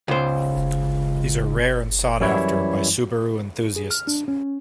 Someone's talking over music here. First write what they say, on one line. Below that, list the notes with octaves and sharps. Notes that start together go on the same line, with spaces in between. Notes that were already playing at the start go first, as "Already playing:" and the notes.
These are rare and sought after by Subaru enthusiasts.
C#2 C5
F#2 E3 G3 E4 C#5
G#4
F6
D4
C#4